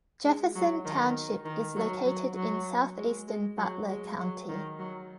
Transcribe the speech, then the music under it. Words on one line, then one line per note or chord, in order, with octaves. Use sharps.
Jefferson Township is located in southeastern Butler County.
G#3
F#3
D#3
D#3
F#3
F#3
F#3
G#3
G#3
F#3
G#3
F#3
D#3
F#3